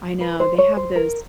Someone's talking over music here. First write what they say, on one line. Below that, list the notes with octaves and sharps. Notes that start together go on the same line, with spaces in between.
I know, they have those
B4
C5
C#5
C5
A#4